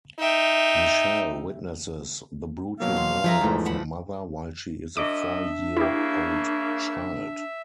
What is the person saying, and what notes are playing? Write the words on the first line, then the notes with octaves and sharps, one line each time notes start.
Michelle witnesses the brutal murder of her mother while she is a four-year-old child.
D#4 E5 G5
B2 F#3 A#3 F5
C6
F3 G#4 E5 A#5
E2 G#2 E3 F3 A3
F#5 A5 B5
F#2 D4 D#5 E5 D6
C#3 A#3 E4 G4